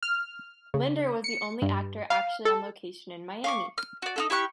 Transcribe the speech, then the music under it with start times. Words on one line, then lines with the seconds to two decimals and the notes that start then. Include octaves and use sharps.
Linder was the only actor actually on location in Miami.
0.03 F6
0.74 C#3
1.24 C#7
1.62 G2
2.10 F5
2.45 A4
3.44 F5 C#6 D6
3.78 F6
4.02 F#4 D5
4.16 D#4 F4 A4
4.30 E4 G4 C#6 F#6